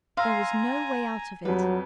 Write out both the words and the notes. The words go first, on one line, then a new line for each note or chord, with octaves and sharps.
There is no way out of it.
F5 G#5 A#5 C6 E6
F2 F#3 G3 B4